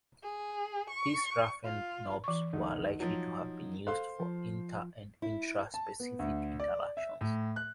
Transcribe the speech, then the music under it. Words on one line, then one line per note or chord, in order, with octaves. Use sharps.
These roughened knobs were likely to have been used for inter- and intra-specific interactions.
G#4
C#6
F4
E3 C#6
D2 D#4
F3 F#3
A4 C5 F5 C6
F3
E4
A5
B3
D2
D5
E5
A2
F#6